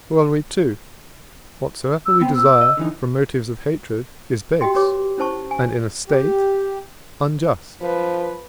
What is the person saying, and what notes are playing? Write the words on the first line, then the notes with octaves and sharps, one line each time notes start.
Corollary II.--Whatsoever we desire from motives of hatred is base, and in a State unjust.
E6
B3 C4 G5
E6
D#5
D3 E3 D#4
F#4 G4 D#5 G5 C6
G4 B4 C#5 D6
C#4 E4 C5 A5 C#6
G#5
G4
F3 B4